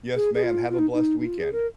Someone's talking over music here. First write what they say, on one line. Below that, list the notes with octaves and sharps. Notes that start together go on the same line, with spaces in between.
Yes, ma'am, have a blessed weekend.
G#4
G#4
F4
F4
D#4
D#4
D#4
F4
G#4
A#4